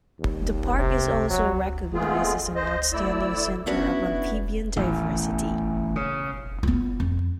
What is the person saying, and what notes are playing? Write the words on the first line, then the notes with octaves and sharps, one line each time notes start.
The park is also recognised as an outstanding centre of amphibian diversity.
D#2
C3
F#3
G#3 A3 B3 C4 F4 G#4
C5 D#5
D2 A3 E4 D5 E6
B3 C#4 D4 E4 F#4 B4
A1 E2
C#3
B3 F4
F2